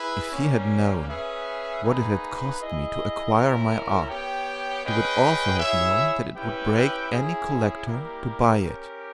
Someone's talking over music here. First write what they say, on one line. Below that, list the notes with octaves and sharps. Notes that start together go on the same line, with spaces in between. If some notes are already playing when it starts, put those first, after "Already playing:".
If he had known what it had cost me to acquire my art, he would also have known that it would break any collector to buy it.
Already playing: E4 G#4 B4
G3 A#3 C#4
C#4 G#4 B4 E5
A#3 D#4 G#4 B4
E4 G#4 D#5
C#4 E4 A#4
B3 G4 C#5 G5
C#4 G#4 B4 D#5 G5
E4 G#4 C#5 E5
C#4 E4 G4 B4 G5
C#4 E4 G#4
G3 A#3 E4 G4 A#4
C#4 G4 A#4